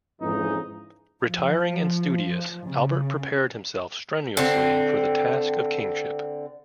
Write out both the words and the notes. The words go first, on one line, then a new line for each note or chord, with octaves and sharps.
Retiring and studious, Albert prepared himself strenuously for the task of kingship.
F2 G#2 C#3 E3 D#4
F3
C#3
D3 C4